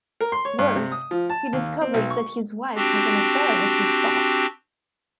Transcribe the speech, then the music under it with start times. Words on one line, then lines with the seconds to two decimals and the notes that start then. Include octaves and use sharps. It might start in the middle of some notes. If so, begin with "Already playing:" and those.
Worse, he discovers that his wife has an affair with his boss.
0.21 A#4
0.32 C6
0.45 C#5
0.59 G2
0.75 C3
0.92 D#6
1.11 F3
1.30 A5
1.53 D#2
1.81 C4
1.94 B1
2.10 C#6
2.75 C4 D4 F#4 G4